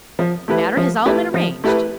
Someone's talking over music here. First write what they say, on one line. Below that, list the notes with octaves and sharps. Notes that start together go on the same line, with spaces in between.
The matter has all been arranged.
F3
A3 E4 G4 B4
F3
A3 E4 G4 B4
F3
A3 E4 G4 B4